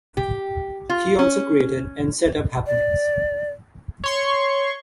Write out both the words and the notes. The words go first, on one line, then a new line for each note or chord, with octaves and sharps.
He also created and set up happenings.
G4
F4
C#4
D5
C#5 C6 C#6